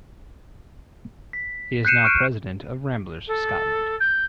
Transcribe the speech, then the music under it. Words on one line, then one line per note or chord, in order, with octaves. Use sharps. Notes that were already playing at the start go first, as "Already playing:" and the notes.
He is now President of Ramblers Scotland.
B6
F#6 G6 C7 C#7 D#7 E7
C#6 F6 F#6 C7 D7 D#7
A4
G6